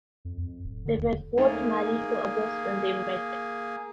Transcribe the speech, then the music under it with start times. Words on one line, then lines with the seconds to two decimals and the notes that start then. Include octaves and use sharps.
They were both married to others, when they met.
0.25 F2
0.38 F2
0.64 D1
0.85 D3
0.97 D#2
1.38 A3 A#3 D#4 G#4 A#4